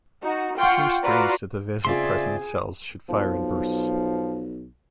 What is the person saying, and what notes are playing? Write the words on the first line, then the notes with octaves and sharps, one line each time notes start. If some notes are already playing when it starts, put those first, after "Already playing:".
It seemed strange that the vasopressin cells should fire in bursts.
D#4 F#4
F4 F#5 G5 C#6
F4 F#4 B4 D5 A#5
C#3 C4 F4 G#4 D5 E5 C6
B1 F3